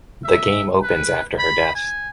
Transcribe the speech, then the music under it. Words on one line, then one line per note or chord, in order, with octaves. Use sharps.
The game opens after her death.
E5
B4
B5
G#5